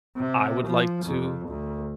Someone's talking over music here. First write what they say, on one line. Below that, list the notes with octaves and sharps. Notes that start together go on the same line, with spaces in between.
I would like to,
C3
F3
F2
D2